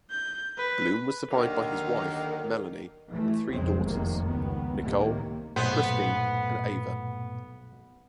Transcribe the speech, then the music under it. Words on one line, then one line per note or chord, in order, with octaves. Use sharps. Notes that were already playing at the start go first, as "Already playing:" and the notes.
Bloom was survived by his wife, Melanie, and three daughters: Nicole, Christine, and Ava.
G6
B4
D#2 D3 D#3 F#3 A#3
E3 A3
B1 F2 C#3 G#3 C4
F1 F#2 A2 C3 D#3 A#3
C#2 D#3 B3
C#2 A2 C3 D#3 A#3
B1 G2 A#2 A3 B3 B4 C5